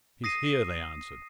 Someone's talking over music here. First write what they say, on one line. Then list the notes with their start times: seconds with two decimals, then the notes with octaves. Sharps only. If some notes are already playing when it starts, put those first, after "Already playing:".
"He's here," they answered.
0.24 D#6 A#6 C7 D#7